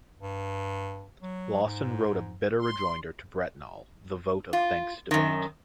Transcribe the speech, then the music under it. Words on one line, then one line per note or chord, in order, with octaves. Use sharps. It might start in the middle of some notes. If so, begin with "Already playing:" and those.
Lawson wrote a bitter rejoinder to Brentnall, "The Vote of Thanks Debate".
G2
F#3
G#2
C6
F4
F#2 D#3